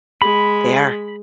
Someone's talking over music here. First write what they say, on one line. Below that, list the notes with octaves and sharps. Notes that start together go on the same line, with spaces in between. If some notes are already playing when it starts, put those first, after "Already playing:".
They are.
G#3 B5